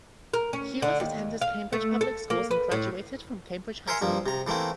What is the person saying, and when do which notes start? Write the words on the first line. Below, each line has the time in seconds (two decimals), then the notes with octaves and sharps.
Hewlett attended Cambridge public schools and graduated from Cambridge High School.
0.34 A#4
0.53 C#4
0.82 D3
1.00 D#2
1.42 F5
1.73 A3
2.01 A4
2.30 A#3
2.51 B4
2.72 A2
3.88 A#4 C#5 E5 G#5 C6
4.02 G2 F3 A#3
4.26 C3 A#5
4.47 E3 A3 A#3 C4 E4